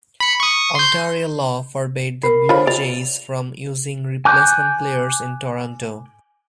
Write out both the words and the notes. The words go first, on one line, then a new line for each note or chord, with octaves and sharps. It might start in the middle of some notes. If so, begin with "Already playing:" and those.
Ontario law forbade the Blue Jays from using replacement players in Toronto.
B5 C#7
C#6 D#6
C6 G6
A#4 B5 C7
F4 C5 C#5 F5 B5
D5 F7
G#5 D6 F#6 G6